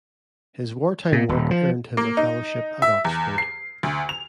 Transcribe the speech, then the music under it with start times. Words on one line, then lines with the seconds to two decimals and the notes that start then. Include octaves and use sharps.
His war time work earned him a fellowship at Oxford.
1.12 A#2
1.29 D#1
1.51 F3
1.97 A#3
2.17 D#4
2.82 E5
3.05 E2
3.38 C7
3.83 D2
4.09 F7